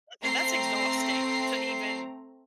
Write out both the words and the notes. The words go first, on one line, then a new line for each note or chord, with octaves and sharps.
That's e that's exhausting to even
A3 C4 A#5 C7